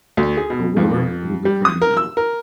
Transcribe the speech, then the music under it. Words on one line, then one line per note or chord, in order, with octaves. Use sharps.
However, we’ll be friends now.
D2
G#4
B2
F2
G3
D#6
A#4
E6
A#4